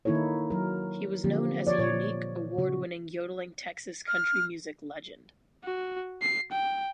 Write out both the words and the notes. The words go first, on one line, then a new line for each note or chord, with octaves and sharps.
He was known as a unique, award-winning yodeling Texas country music legend.
D#3 A#3 D#4 E4 A4 C#5
F#3 A#4
D3 F3 A#3 C4 G4
F3 C#5 D5
A#2 C#5
C#3 F#4
F6
F#4
C7
G5